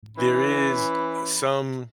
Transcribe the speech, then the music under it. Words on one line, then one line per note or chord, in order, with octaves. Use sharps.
there is, uh, some
E3 C#4 B5